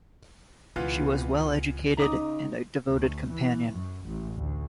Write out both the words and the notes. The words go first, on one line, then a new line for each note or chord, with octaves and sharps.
She was well-educated, and a devoted companion.
C#2 B2 E3 B3 F4
C#3 D#4 A#5 D6 D#6
D2
E3
F#2
A1
D2